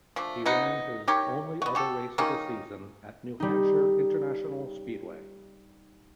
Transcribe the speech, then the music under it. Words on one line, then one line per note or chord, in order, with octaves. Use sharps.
He ran his only other race of the season at New Hampshire International Speedway.
F3 A3 D4
B3 D#4 F#5
D#4 G4 A#4 C#5
B3 F#4
F#4 G4 A4
D#3 A#3 C#4 D#4
G3 D#4